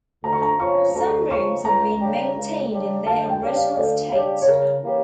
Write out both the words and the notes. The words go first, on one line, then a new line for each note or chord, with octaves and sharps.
Some rooms have been maintained in their original state.
D2 A#5
C#6
A#5
C#3 F3 C#4 C#6
D2 A#5
C#3 F3 C#4 C#6
C#2 A#5
C#3 G3 D4 G4
C#2
C#3 G3 D4 G4
D2 A5
G5
C#3 G3 D4 G4
F5
D2 D5
C#3 G3 D4 G4 C#5
C#5
C#3 A#4
E3 A#3 C#4 G4